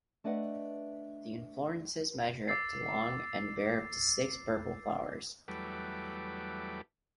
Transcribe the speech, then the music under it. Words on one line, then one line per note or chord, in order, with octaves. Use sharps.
The inflorescences measure up to long and bear up to six purple flowers.
A3 D4 B4 D#5 F#5
D6 E6 A6 C7
E2 F#3 G3 A3 B4 D6